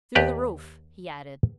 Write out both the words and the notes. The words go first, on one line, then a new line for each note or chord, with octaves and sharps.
"Through the roof," he added.
D#2 G4 B4 D5